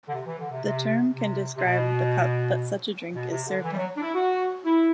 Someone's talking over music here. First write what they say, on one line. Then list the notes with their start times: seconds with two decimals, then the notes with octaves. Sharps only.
The term can describe the cup that such a drink is served in.
0.08 D3
0.13 C3
0.26 E3
0.38 D3
0.50 C3
0.63 C3
1.13 C3
1.56 C3
1.64 B2
3.14 B2
3.30 C3
3.47 D3
3.64 E3
3.71 G3
3.76 F#3
3.96 D4
4.01 E4
4.14 F#4
4.64 E4